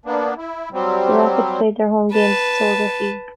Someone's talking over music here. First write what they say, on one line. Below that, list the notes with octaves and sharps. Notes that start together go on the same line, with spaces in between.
The Rockets played their home games at Soldier Field.
A#3 B3 D4
E4
F#3 G3 C4
B4 A5